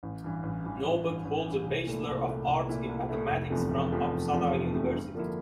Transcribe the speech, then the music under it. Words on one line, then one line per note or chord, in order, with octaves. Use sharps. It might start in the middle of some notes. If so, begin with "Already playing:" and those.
Norberg holds a Bachelor of Arts in mathematics from Uppsala University.
A1
G2 E3
A1
G2 E3
A1
G2 E3
A1
G2 E3
C2
A#2 A3 E4
C2
A#2 A3 E4
C2
A#2 A3 E4
C2
A#2 A3 E4
F1
E2 C3 F3 A3
F1
E2 C3 F3 A3
F1
E2 C3 F3 A3
F1
E2 C3 F3 A3
G2
D3 F3 A#3 E4